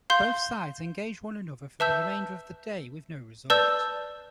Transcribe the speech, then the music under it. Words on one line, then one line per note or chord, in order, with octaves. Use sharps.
Both sides engaged one another for the remainder of the day with no result.
F5 C6 G6
B4 E5 A5 E6 G6
B4 D5 A5 E6 G6